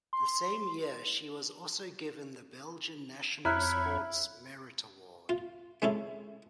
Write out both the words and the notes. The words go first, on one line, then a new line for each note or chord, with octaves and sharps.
The same year she was also given the Belgian National Sports Merit Award.
C6
F2 E4 C#5 A#5 B5 F6 F#6
F4
G#3 C#4 E4 A4